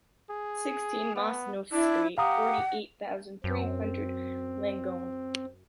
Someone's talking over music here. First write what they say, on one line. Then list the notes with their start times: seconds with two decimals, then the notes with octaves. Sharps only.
Sixteen, Mas Neuf Street, forty-eight thousand three hundred Langogne.
0.30 G#4
1.16 B3
1.72 D4 E4
2.18 G4 F5 F#5 A#5 D#6
3.44 F#2 C4